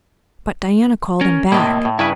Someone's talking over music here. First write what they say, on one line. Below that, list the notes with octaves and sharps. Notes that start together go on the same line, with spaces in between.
But Diana called him back.
C#4 A#4
A2 C3 A#3 D#5
A2
G2 C#3 E4 B4